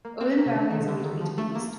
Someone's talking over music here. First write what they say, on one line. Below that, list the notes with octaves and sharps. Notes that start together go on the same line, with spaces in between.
Odin Valley is immediately to the east.
A#3
C4
A#3
C3
D3
D#3
D3
D3
D#3
F3
A3
A#3